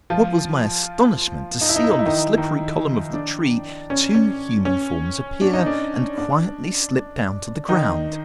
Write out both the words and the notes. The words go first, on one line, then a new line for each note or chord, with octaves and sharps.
What was my astonishment to see on the slippery column of the tree two human forms appear and quietly slip down to the ground.
F3 F4
D#4
E4
D#4
E4
D#4
E4
D#3 D#4
D#3 D#4
D4
C#4
C#4
C#4
D4
D#4
D4
D4
D#3 D#4